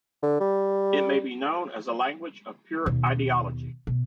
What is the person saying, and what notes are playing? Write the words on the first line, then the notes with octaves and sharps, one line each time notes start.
It may be known as a language of pure ideology.
D3
G3
D#2 B2
B2